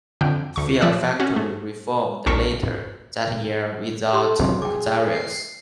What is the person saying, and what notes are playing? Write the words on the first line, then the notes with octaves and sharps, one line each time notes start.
Fear Factory reformed later that year without Cazares.
F2 D3 G5
D2 C#6
F3 D5 E5 E6 F#6
C#4 F#4
A3
A#1 D#2 A4 A#4 C#6 B6
G4 A4 C6
F#3
G#4 G5 D6
C7